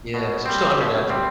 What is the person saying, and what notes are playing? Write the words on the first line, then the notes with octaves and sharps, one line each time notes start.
Yeah, so I'm still undergraduate.
B2
G3 C4
B2
G3 C4